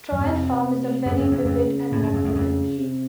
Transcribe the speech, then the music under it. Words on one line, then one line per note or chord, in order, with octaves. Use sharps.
Trial Farm is a very vivid and warm village.
F#2
F2 C3
F#2 C#3
F2
E2
F2
A2
G2
F2
E2
F2
C3